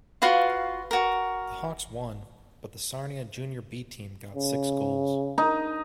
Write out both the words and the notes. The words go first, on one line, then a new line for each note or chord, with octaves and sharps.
The Hawks won, but the Sarnia Junior 'B' team got six goals.
F4 F#4 B4 F5
F#4 A#4
C#3
D#4